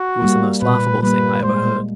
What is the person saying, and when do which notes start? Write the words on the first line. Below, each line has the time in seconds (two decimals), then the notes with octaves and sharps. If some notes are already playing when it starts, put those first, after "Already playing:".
It was the most laughable thing I ever heard.
Already playing: F#4
0.22 G3 A#3
0.62 A#2 B4
1.02 G3 A#3 B4
1.42 G#3 C5